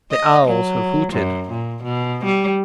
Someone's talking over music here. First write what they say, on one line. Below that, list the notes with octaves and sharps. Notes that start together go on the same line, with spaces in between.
The owls have hooted.
D#5
F#3
F#2
A#2
B2
G3